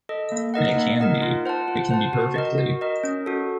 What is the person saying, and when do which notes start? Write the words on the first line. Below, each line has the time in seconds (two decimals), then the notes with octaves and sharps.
It can be. It can be perfectly.
0.09 A4 D#5
0.32 A#3
0.54 D#4 A#4 D#5 F#5
0.77 A#3
1.00 D#4 A#4 D#5 F#5
1.22 F4
1.46 C5 F#5 A5
1.68 F4
1.91 C5 F#5 A5
2.13 F#4
2.36 A#4 D#5
2.58 F#4
2.81 A#4 D#5
3.04 C#4
3.26 F#4 A4